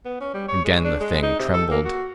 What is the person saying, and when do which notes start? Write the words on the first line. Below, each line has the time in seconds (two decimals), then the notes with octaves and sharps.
Again the Thing trembled.
0.06 B3
0.21 C#4
0.34 G3
0.49 C#5
0.65 G#3
0.85 D4
1.01 G#3
1.23 D#4
1.39 C3
1.54 A4
1.71 A#3
1.85 F#4